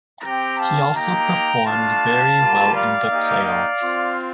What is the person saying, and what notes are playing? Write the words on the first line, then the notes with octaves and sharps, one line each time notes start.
He also performed very well in the playoffs.
C4 G4 G5 A#5
F5 A5
A#3 D#4 G4 G5 A#5
A3 D4 F4 F5 A5
G3 A#3 F4
D5 F5
A#3 D#4 G4
D5 F5
C4 F4